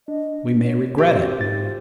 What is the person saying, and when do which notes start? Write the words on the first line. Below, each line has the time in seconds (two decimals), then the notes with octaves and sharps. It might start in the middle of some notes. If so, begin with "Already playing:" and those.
We may regret it.
0.08 D4 D#5
0.64 C#5
0.98 G4 E5
1.13 C4 F#4 G4
1.41 G#2 D#4 F4 A6